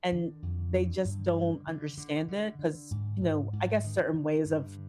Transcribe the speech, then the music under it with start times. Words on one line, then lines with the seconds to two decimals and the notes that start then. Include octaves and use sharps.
and they just don't understand it, 'cause, you know I guess certain ways of
0.12 D3 D#3
0.42 F2
0.74 D3
1.05 G2
1.36 D3
1.67 D3
1.97 D3
2.28 D3
2.59 D3
2.91 G#2
3.21 G#2
3.53 G#2
3.84 D3 D#3
4.14 D3
4.45 G2